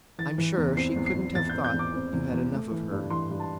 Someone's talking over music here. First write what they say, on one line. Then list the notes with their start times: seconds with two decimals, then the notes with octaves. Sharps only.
I'm sure she couldn't have thought you had enough of her.
0.18 E3 A6
0.38 E3
0.58 E2
0.77 C4 C7
0.96 E2
1.06 C7
1.15 E2
1.35 E2 A6
1.49 G6
1.55 C4
1.64 G6
1.74 E2
1.79 D6
1.94 C4
2.13 E2
2.33 E2
2.52 A3
2.71 E3
2.91 G2
3.10 E3 C6
3.30 G2
3.40 A5